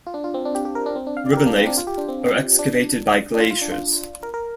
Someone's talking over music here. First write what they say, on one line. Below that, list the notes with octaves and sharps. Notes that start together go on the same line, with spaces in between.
Ribbon lakes are excavated by glaciers.
F4
D4
F4
C4
D4
G4
G4
A#4
D4
C4
D4
F5
D5
G4
A#4
D4
C4
D4
F4
G4
D4
C4
D4
D4
F4
F4
D4
F4
A#4
A#4